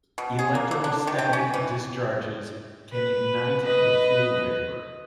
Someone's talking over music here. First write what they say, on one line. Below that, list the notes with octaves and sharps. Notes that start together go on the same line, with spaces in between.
Electrostatic discharges can ignite the fuel vapor.
B2
G#4
A#3
A#3
D4
D#3
G5
C#4
E3
B4
B4 D#5